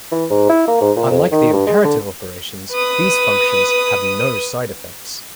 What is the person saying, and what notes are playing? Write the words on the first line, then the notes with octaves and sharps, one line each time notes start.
Unlike the imperative operations, these functions have no side effects.
E3
G#2
E4
A#3
G#2
A#2
F2
D#3
G2
G#3
D3
B4 D#6